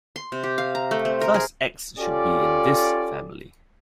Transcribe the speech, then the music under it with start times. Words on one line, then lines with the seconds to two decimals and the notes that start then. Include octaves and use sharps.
Thus "X" should be in this family.
0.16 C6
0.32 C3
0.43 G4
0.58 F5
0.75 A#5
0.91 A3
1.05 C4
1.21 A#4
1.34 G#4
1.99 C#4 F4 G4 A4 D5